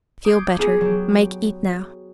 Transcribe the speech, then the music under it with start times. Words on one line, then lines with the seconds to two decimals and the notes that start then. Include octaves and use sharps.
"Feel better, make eat now."
0.25 D6 D#6 G6 G#6 C7
0.58 B3 F4 G#4
0.81 F#3 G4